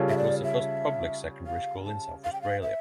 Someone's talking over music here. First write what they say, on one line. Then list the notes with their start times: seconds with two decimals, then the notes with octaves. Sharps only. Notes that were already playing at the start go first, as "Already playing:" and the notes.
It was the first public secondary school in South Australia.
Already playing: C#3 G3 C#4 F4 A4
0.09 E5
0.17 D5
0.44 E5
1.47 F5
1.85 A5
2.24 F5
2.33 G5
2.42 F5
2.62 E5